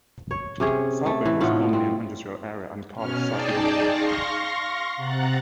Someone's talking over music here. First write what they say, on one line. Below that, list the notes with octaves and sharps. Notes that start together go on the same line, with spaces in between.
Southbank was formerly an industrial area and part of South Melbourne.
C#5
C3 C#4 G#4
A3
E3
A2 D#4 F4 F#5
C4
B2 C#4 F6
D#4 G#4 D5 G5 A5
F5 C6 C#6 A#6
C3 F#5 A#5 F#6 A6